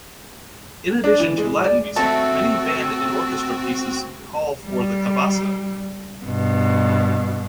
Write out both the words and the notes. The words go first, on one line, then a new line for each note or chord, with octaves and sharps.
In addition to Latin music, many band and orchestra pieces call for the cabasa.
D4
E3
G#3
D5
A3 C4 F#4 A4 A5
G3
G2 B2